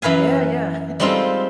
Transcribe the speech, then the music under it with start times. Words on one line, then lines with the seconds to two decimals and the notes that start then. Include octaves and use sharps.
Yeah, yeah.
0.02 F#2 E3 B4 F5 G#5
1.00 G3 G#3 C4 D#4 F4 A4